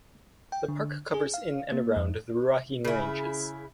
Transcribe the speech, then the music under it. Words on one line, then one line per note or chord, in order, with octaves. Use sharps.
The park covers in and around the Ruahine Ranges.
G5
D3
G#4
F5
A#3
F2
C#3 E4